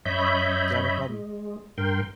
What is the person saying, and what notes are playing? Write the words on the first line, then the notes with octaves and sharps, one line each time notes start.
Yeah, no problem.
F#2 C#5 D#5 E5 B5 G6
G#3
G2 A#4 G5 C6